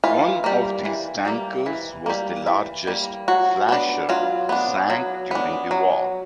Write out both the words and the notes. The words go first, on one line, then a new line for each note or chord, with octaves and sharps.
One of these tankers was the largest "Flasher" sank during the war.
E3 F4
G3 A#3
E3
G3 A#3
E3
G3 A#3
E3
G3 A#3
F#3 F#4
B3 D4
F#3 F4
B3 D4
F#3
B3 D4
F#3